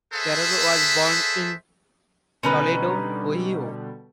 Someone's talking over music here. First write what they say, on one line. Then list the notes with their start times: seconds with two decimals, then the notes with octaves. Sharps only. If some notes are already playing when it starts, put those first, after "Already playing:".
Carroll was born in Toledo, Ohio.
0.13 G#4 A4 B4 C5 E5
2.43 B2 D3 G3 C#4 D#4 B4